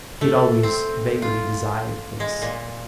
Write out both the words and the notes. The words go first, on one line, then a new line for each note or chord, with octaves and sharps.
He had always vaguely desired this.
A3
C4
F4
G#3
A#2